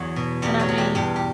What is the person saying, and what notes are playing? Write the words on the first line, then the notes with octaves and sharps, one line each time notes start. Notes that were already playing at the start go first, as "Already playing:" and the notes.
and I mean,
Already playing: E2 F#3 F#4
B2
E2 G3 G4
F#3 F#4
E2
G3 G4
G2 G3 G4
G4